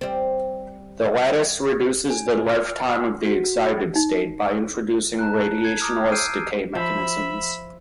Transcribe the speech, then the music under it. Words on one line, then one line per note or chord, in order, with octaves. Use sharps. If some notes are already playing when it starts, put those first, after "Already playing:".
The lattice reduces the lifetime of the excited state by introducing radiationless decay mechanisms.
G3 C4
G#5
F6
F#4
B5
D#4
A5 A#5 F#6
G#6
A#5 D6 D#6 F6
E6 F6 G6 C7 D7 D#7
F3 E5 B5